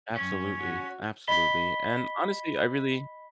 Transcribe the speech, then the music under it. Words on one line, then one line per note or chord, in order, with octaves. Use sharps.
Absolutely, absolutely, and honestly, I really
F#2 C#4 C#5 G5
F#4
D#5 B5 B6 G7